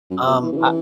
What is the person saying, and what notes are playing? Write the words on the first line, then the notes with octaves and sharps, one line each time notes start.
Um, I
F#2
B2
E3
C#3
E3